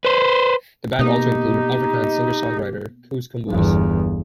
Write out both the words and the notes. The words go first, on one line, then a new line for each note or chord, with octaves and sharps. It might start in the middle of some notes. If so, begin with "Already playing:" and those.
The band also included the Afrikaans singer-songwriter Koos Kombuis.
B4 C5
B2 A#3 D#4 G4
G1 E2